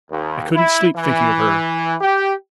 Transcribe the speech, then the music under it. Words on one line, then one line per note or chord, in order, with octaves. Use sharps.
I couldn't sleep thinking of her.
D#2
E4
E3
G4